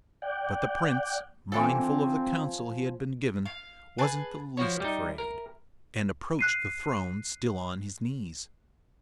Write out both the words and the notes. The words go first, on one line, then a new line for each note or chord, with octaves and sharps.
But the Prince, mindful of the counsel he had been given, wasn't the least afraid, and approached the throne still on his knees.
D5 F#5 G5
E3 F3 C4 D4 A4 G#5
F5
G#4 B4 A5
F3 E4 F#4 C#5
G3 D#4
A#4
F#6 C7 D#7